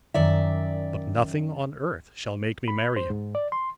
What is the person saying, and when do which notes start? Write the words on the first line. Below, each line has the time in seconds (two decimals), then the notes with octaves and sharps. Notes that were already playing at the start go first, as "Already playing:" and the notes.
But nothing on earth shall make me marry him.
0.14 F#2 D#3 D5 E5
2.68 B5
2.96 C5
3.10 G#2
3.35 D5
3.52 C6